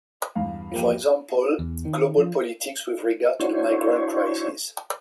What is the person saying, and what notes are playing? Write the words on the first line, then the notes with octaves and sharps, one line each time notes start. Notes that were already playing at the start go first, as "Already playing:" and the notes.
For example- glocal politics with regard to the migrant crisis.
E2 G2 F5
F3 A#3 G4
E2
D#3
F3
D4 E4 F#4 C5 C#5